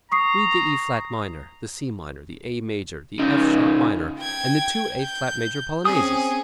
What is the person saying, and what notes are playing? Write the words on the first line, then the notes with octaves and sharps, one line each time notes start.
Read the E flat minor, the C minor, the A major, the F sharp minor and the two A flat major Polonaises!
A#5 C#6 D#6 C7
C#3 D#4
G5 G#6
G6
C4 C#4 G#4 D#6